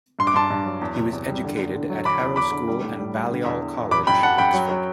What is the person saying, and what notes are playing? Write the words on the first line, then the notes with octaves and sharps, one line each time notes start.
He was educated at Harrow School and Balliol College, Oxford.
G2 C6
D6
G2 A5 C6
G2
F#3
E2
C3
E2
G3
D3
E2
D3
F#3
D3 B5 D6
E2
E2 B5 D6
D3
G3
A2
G3
G3
D3
E2
E2
E2
F#2 B5 D6
F#2 G5 B5
F#2 F#5 A5
F#2 G5 B5
F#3
F#3